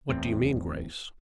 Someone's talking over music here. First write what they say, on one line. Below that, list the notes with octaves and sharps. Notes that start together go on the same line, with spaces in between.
"What do you mean, Grace?"
D1 E2 A2 C4